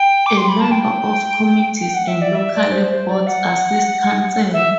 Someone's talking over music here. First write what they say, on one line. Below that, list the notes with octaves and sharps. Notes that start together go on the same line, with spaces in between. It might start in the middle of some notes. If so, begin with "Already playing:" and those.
A number of Committees and local Boards assist Council.
Already playing: G5
D6
C6
B5
A5
G5
G5
F#5
E5
D5
E5
D5
C5
C5
D5
F#5
E5